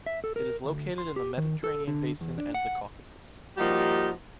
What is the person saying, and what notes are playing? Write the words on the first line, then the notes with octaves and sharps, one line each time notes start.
It is located in the Mediterranean Basin and the Caucasus.
E5
A4
A#4
D2
C6
G4
D#3
A4
D3
E2
D4
F#5
F3 G3 A#3 D#4 F#4 G4